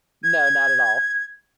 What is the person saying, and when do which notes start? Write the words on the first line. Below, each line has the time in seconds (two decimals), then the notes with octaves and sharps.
No, not at all.
0.24 G#6